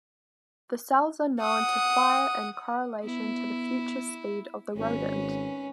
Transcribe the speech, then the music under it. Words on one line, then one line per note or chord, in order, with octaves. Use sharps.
The cells are known to fire in correlation to future speed of the rodent.
F#5 D#6
B3 E4
G#1 C#4 B4